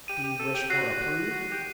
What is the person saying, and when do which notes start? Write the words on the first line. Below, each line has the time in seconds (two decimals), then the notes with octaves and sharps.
"Do you wish for a proof?"
0.08 G4 D#7
0.23 G4
0.39 A4
0.54 G4
0.70 F#4 C7
1.01 F#4
1.31 F#4
1.52 G4